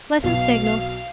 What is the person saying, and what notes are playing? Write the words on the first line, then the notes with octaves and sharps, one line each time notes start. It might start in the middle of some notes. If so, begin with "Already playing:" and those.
"Let him signal."
B1 B2 F5